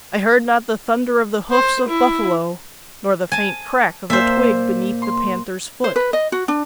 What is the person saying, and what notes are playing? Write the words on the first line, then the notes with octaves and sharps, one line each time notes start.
I heard not the thunder of the hoofs of buffalo, nor the faint crack of the twig beneath the panther's foot.
C5
E4
G#5 A5
A#2 C5 E5
C6
C5
B4
D#5
F#4
D4